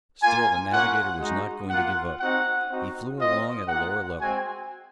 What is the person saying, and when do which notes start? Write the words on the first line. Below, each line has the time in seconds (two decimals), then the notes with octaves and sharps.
Still the navigator was not going to give up. He flew along at a lower level.
0.22 A#3 F4 G#5
0.71 A#3 C#4 F4 F#5
1.21 G#3 D#4 F#4
1.70 A#3 F4 F#5
2.20 C4 D#4 F#4 F#5
2.69 C4 D#4 F#4
3.19 C4 F4 D#5
3.69 A#3 F4 F#5
4.18 G#3 C4 F#4 G#5